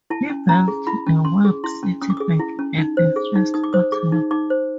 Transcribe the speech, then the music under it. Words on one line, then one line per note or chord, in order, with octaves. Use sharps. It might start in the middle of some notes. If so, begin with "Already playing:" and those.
He built the Webb City Bank and the first hotel.
E4 A5
C#4
C#4 A#5
G#4
E4 B5
C#4
C#4 C6
G#4
E4 C6
C#4
C#4 D#6
D6
G#4 D#6
E4
C#4
D#4
C5
G#4
D#4
D#4 D#6
D6
C5 D#6
G#4 D6
D#4
D#4 D6
C5